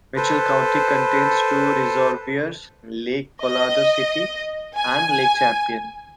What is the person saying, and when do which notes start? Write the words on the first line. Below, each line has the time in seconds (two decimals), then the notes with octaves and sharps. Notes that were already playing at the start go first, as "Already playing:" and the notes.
Mitchell County contains two reservoirs, Lake Colorado City and Lake Champion.
0.16 A4 B4 C5
3.43 D#5
4.77 G#5